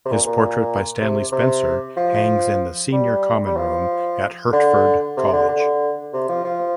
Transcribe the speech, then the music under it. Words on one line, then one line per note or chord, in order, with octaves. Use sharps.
His portrait by Stanley Spencer hangs in the Senior Common Room at Hertford College.
C3
A#2
A#2
C3
C3
F3
G3
G3
F3
D3
C3
D3
D3
C3
F3
F3